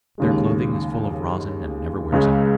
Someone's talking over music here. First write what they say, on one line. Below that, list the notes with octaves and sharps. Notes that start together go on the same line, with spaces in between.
Their clothing is full of rosin and never wears out.
D#2 C#3 G#3
C#2 C#3 G#3